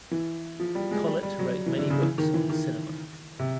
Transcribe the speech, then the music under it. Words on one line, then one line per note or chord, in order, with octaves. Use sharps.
Collet wrote many books on cinema.
E3
F3
G3
G#3
G3
G3
F#3
E3
D3
C#3
E3
D#3
E3
D#3
C3